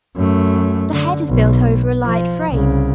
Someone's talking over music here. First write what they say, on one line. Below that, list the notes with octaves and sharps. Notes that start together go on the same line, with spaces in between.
The head is built over a light frame.
F#2 A3
D3
B1
F3
C2 C#3